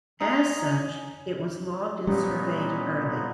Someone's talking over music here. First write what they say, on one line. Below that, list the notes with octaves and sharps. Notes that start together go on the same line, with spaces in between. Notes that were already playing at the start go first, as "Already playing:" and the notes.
As such, it was logged and surveyed early.
C#4 D#4 A#5
A#2 G3 B3 C#4 D#4